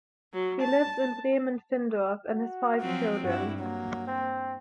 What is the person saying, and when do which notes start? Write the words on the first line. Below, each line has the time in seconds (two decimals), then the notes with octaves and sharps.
He lives in Bremen-Findorff and has five children.
0.33 F#3
0.62 A5
2.32 F#4
2.81 F3 F#3 C4
3.24 G2 E4 F#4
3.59 F#3 A#3
4.07 C4